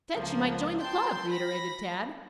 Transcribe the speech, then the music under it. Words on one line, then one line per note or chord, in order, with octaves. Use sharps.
"I said she might join the club," reiterated Tad.
C#2 F3 A#3
G5 A5 C6 G6
B5 A#6